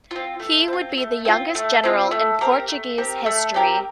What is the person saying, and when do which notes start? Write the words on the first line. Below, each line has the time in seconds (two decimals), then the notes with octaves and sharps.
He would be the youngest general in Portuguese history.
0.11 C4 F4
0.40 A3
0.68 C4 F4
0.97 A3
1.25 C4 F4
1.55 A3
1.84 C4 F4
2.11 A3
2.41 C4 G4 A#4
2.68 A3
2.98 C4 G4 A#4
3.26 A3
3.54 C4 G4 A#4